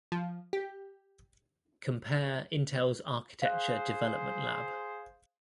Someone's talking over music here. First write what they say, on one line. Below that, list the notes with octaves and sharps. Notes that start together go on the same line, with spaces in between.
Compare Intel's Architecture Development Lab.
F3
G4
G#4 C5 F5 F#6